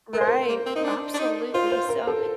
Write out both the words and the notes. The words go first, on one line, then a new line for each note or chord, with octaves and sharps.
Right. Absolutely, so,
A3 A#4
C5
A#4
A#3
C4
D#4
D4
D4
D#4
F4 C5
C5
A#4
A4